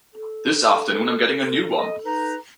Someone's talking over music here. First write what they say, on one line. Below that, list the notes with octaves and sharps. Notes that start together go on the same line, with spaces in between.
This afternoon I'm getting a new one!
A4
D#5
D#4 B4 A#5